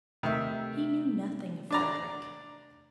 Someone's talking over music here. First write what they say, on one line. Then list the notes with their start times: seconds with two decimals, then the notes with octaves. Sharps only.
He knew nothing of Frederick.
0.23 C3 D#3 A3 E5
1.71 D4 D5 A#5